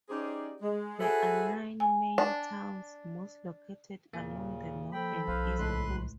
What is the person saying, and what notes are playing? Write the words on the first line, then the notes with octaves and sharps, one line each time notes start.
There are nine main towns, most located along the north and east coasts.
C#4 D#4 G4 G#4 C5 D5
G#3
F#4 G#4 A4 B4 C5 E5
G#5
D4
D#2 A#2 C#3 A#3
F3 A4 G5 B5
B1 B4 C5 F5
C#2 A2 B4 C6 F#6